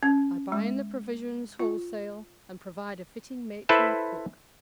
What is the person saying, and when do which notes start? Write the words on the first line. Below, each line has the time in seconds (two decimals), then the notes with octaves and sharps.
I buy in the provisions wholesale, and provide a fitting matron or cook.'
0.03 C#4
0.52 G#3
1.59 F4
3.69 E4 A4 B4 C5 E5